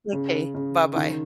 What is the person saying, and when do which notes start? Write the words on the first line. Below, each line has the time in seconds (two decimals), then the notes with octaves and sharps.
M'kay, bye bye.
0.13 C#3
0.54 C#3
0.96 D#3